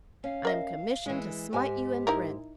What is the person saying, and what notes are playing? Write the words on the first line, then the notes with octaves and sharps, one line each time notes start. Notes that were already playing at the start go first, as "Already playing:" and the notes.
I am commissioned to smite you in print.
C#4 F5
A#4 D#5 E5
E3 G#3
G#2 G4 G#5
D#4 E4 A#4